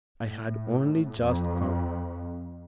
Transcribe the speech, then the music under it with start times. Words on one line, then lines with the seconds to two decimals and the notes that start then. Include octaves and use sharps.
"I had only just come."
0.25 A2
1.23 F2